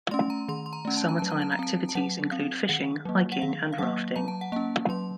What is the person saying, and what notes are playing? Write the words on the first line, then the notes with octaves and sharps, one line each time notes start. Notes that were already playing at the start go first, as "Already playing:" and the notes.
Summertime activities include fishing, hiking, and rafting.
A3 C#4 C6
A#5
D#3 C6
C6
A#5
A3 C#4
A5
A#5
F#3 A5
A#5
A5
A#5
C4 A5
A5
F#3 F#5
C4 F5
D#3 F#5
F#3 A#3
F#5
D#3 F5
F5
F#3 A#3 F#5
F#3 A#5
A5
F#5
A#3 C#4 A5
F#3 C6